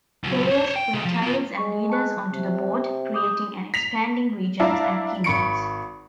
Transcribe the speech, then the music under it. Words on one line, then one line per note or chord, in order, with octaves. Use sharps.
Players play tiles and leaders onto the board, creating and expanding regions and kingdoms.
C#2 F#3
C5 C#5
G5
C3 G#4
F3
B3 F4
G#3 C#6
A5 C#6 F#6
C3
D6 D#6 G6
B6 F7
D4 E4 E5 F5 A5 A#5
G#1 B5 C#6 C#7 D7